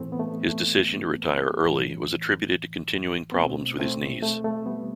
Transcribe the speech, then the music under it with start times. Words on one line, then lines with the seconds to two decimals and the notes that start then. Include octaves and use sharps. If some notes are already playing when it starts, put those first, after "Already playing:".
His decision to retire early was attributed to continuing problems with his knees.
Already playing: A2 E3 A3 C4
0.12 B3
0.20 A3
0.49 A3
1.64 A2 E3
3.32 B3
3.36 B2 A3 C4
3.79 A3 C4
4.22 A3
4.44 A3
4.66 G3 B3